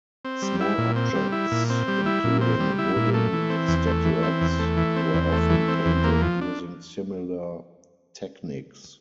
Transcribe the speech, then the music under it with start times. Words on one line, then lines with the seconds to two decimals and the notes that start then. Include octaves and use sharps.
Small objects including wooden statuettes were often painted using similar techniques.
0.25 C4
0.42 G3
0.60 E4
0.78 A#2
0.96 C4
1.15 G3
1.32 E4
1.51 A#2
1.70 C4
1.88 G3
2.06 E4
2.24 A#2
2.41 C4
2.60 G3
2.78 E4
2.96 A#2
3.14 A3
3.33 E3
3.50 C4
3.68 E2
3.87 A3
4.05 E3
4.23 C4
4.41 E2
4.59 A3
4.77 E3
4.96 C4
5.14 E2
5.32 A3
5.50 E3
5.68 C4
5.86 E2
6.04 A#3
6.22 F3
6.41 D4